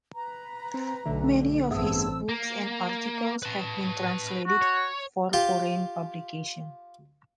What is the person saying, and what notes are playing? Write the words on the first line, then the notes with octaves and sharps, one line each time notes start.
Many of his books and articles have been translated for foreign publication.
B4 A#5
C4
B1 D3 A3
A1 G2 A3 B3 C4 G#4 A5 E6
A#3
B4 A5
F#4
C#5
F4 G4